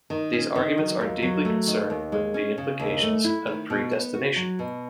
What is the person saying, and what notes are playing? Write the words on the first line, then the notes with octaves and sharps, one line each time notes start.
These arguments are deeply concerned with the implications of predestination.
D#3
C#4
D#3
F#3
D#2
F#3
A3
D#3
D#2
G#3
C#4
C#3
D#2
A3
E4
D#3
B2
B3
F#4
F#3
B2